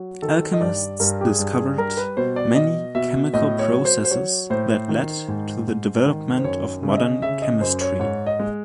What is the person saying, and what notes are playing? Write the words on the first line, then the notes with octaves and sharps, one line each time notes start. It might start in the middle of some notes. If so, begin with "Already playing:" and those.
Alchemists discovered many chemical processes that led to the development of modern chemistry.
Already playing: F#3
D#3 A4
D#5
G2 D5
G2 A#4
G4
G#4
G2
G#4
G3 A#4
B4
B2 C5
D5
B2 D#5
B2 E5
A2 D#5
C#5
F#3
C5
C5
F#3 C#5
A2 C5
D#3
G#2
G#2
D#3
C5
F#2 C#5
C#3
E5
D#5
C#3 E5
D#5
F#2 C5
C#5
G#2 C#5
D#5
G#3